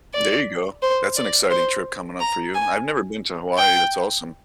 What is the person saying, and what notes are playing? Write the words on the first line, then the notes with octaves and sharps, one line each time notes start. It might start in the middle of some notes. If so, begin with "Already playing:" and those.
There you go, that's an exciting trip coming up for you. I've never been to Hawaii, that's awesome.
D5
C5
D5
C5
A#5
G#5
G5